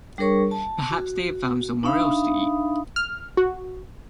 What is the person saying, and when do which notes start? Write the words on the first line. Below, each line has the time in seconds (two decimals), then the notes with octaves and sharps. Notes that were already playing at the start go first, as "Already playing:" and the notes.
Perhaps they have found somewhere else to eat?
0.18 G3 D4 G#4 A#4 C#5 C#6
0.51 A5
0.91 F#4
1.83 D4 D#4 E5 F5 B5 D#6
2.96 F6
3.37 F#4